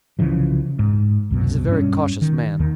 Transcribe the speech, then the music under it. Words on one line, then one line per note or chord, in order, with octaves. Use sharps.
He's a very cautious man.
C2 C#3 E3 F3
G#2
C2 F#2 B2
G2 C#4
D#3
D#2 D#3